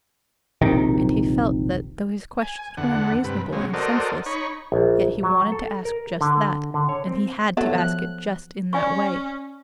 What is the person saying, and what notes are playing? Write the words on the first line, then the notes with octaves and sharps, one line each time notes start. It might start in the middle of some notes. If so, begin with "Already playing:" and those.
And he felt that, though his questions were unreasonable and senseless, yet he wanted to ask just that, and he had to ask it just in that way.
E1 A#1 C3 D#3
G#5
E2 D3 F#5
G2 C3 B4
C3 F#3 G#3 C#4
F#4 A4 A#4 C5 D5 D#5
D#4 C#5 B5 C#6
A#1
F#3
A4
A#4
D3
D3
C#5
C4
F#3 B3 A4 E5
F3 F#6
C#4 D5 G#5 C#6